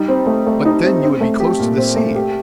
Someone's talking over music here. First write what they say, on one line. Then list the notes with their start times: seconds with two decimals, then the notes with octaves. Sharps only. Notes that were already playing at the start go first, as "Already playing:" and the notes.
"But then you would be close to the sea?"
Already playing: G3 D#4
0.08 C4
0.27 A3
0.47 A3
0.65 D#4
0.83 C4
1.03 C4
1.21 A3
1.40 G4
1.59 A#2
1.78 C4
1.96 A3
2.16 G4